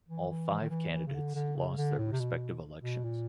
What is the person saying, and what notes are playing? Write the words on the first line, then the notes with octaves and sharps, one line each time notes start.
All five candidates lost their respective elections.
E3
E3
E3
D#3
E3
E3
C#3
D3
D3
C#3
D3
A2
C3
B2
B2
A#2